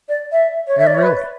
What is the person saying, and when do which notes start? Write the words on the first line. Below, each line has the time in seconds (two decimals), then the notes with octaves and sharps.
Am really.
0.09 D5
0.32 E5
0.67 C#5
0.79 E5
0.87 D5
0.95 C#5
1.03 B4